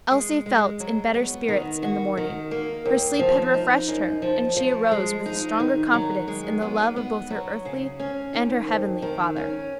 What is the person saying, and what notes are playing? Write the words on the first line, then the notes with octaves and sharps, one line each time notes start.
Elsie felt in better spirits in the morning; her sleep had refreshed her, and she arose with a stronger confidence in the love of both her earthly and her heavenly Father.
G#3
G#3
F#3
B3
D#3
F#4
D#3
A#3
D#2
F3
D#4
F#2
F3
F3
G#3
D#4
D#3
F#3
G#3
B3
B3
F#3
C#3
C#4
D#3
F2
D#3
C#4